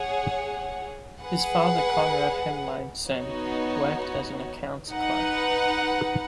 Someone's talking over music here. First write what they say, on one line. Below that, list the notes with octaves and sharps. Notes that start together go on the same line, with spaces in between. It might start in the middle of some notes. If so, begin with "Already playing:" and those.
His father Konrad Henlein sen. worked as an accounts clerk.
Already playing: G#4 C#5 F#5
G#4 B4 F#5
B3 D#4 F#4 C#5
D#4 B4 F#5